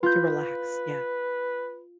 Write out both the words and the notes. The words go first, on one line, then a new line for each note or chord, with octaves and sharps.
To relax, yeah.
F4 B4 G6